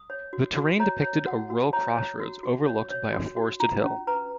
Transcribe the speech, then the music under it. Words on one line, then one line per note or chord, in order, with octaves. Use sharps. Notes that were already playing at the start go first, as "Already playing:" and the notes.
The terrain depicted a rural crossroads overlooked by a forested hill.
Already playing: D#6
C#5
F#4
F#4
C#5 A#5
C#5
F#4 F#5
F#4
C#5 A#5
C#5
F#4
F#4
C#5
C#5
F#4
F#4
F4 A#5
C#4
B4 A#5